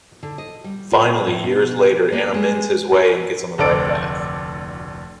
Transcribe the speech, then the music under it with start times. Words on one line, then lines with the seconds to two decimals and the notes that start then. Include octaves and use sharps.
Finally years later Anna mends his way and gets on the right path.
0.23 D3
0.38 D#5
0.64 G3
0.92 F4
1.27 A2
1.44 B2
2.12 A#3
2.34 G#3
3.58 F1 D2 A4 D5 D7